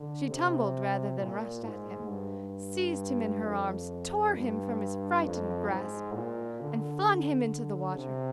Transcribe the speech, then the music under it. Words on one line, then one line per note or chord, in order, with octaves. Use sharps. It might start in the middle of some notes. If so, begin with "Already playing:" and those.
She tumbled rather than rushed at him, seized him in her arms, tore him from his frightened grasp, and flung him into the water.
Already playing: D3
C3
A#2
G#2
G2
F2
G2
F2
G#2
A#2
D3
C3